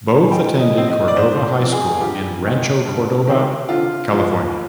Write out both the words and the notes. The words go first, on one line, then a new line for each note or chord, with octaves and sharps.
Both attended Cordova High School in Rancho Cordova, California.
G#5
G#2 G5
D#5
F3 C4
D#5
D5
G#2 C5
F3 C4
G#4
F4
G2 G4
D#3 G#3 C4
G2
D#3 G#3 C4
D3 F4
F3 G#3